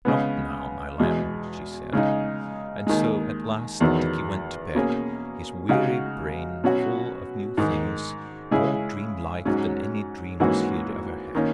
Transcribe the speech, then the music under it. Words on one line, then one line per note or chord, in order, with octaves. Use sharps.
"Not now, my lamb," she said; and so at last Dickie went to bed, his weary brain full of new things more dream-like than any dreams he had ever had.
C#3 G#3 B3
E2 B2 G#3
C#3 G#3 D#4
D#2 D#3 G#3
E2 D#3 F#3 B3
B2 A#3 C#4 G#4
C#3 G#3 D#4 F#4
B2 F#3 C#4 F#4
G#2 D#3 G#3
C#3 G#3 C#4 E4 G#4
G#2 F#3 C#4
G#2 E3 A#3 C#4 F#4
D#3 A#3 C#4